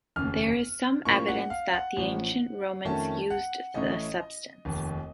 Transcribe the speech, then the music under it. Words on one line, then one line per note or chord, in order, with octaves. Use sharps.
There is some evidence that the ancient Romans used the substance.
F1 D#2 C#3 F6
A2 F3 A#3 C#4 C#6
F#5
F5
F#5
A1 A2 F3
F2 D#3 A3 C#4 A5
F#5
A1 A2 A3 C#4 D#5
F1 D#2 D#3